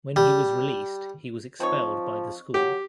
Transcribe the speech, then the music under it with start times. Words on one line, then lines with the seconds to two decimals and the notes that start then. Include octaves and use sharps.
When he was released, he was expelled by the school.
0.16 G3
1.60 F3 C4 D#4 C#5
2.54 F#3 G4